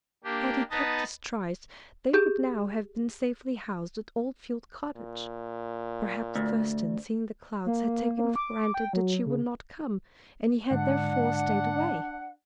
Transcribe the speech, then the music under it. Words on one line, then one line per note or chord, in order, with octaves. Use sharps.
Had he kept his tryste they would now have been safely housed at Old Field Cottage. Perhaps Thurston, seeing the clouds, had taken for granted that she would not come, and he had therefore stayed away.
A#3 D4 G4
B3 D#4 B4 D#5 A5
G4 G#4 G6
A#2
D2
A#3
A#3
D6
G5
F#3
C#3
G#2 D3 G#3 D4 F#5